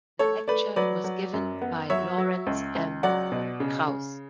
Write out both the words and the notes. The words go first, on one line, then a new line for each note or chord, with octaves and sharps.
The lecture was given by Lawrence M. Krauss.
A3 A4 C#5
A3 B4 D5
F#3 B4 D5
F#3
F#2
B3
F#3 C#5 E5
F#3
C#2
C#2
F#3 D5 F#5
B2
C#3
C#3